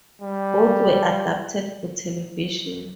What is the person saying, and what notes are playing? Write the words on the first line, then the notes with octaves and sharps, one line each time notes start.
Both were adapted for television.
G3